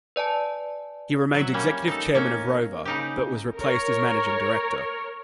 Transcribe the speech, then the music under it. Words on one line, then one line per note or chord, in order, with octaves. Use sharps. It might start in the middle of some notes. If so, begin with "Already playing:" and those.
He remained executive chairman of Rover but was replaced as managing director.
B4 D5 G#5 A5
F#3 E5
G3 A#3 C#4
D#4 A4
A#3 C#4
C#3 D#4 G4
A#4 C#5